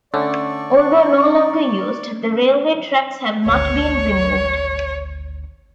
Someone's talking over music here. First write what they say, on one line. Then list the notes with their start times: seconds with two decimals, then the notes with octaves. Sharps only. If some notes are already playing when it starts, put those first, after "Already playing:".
Although no longer used, the railway tracks have not been removed.
0.14 D3 A3 C#4 D5 C#6
3.46 G#1 D2 C#5